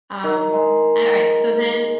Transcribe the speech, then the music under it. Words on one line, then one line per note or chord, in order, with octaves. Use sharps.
Um, an all right, so then
D#3
G#3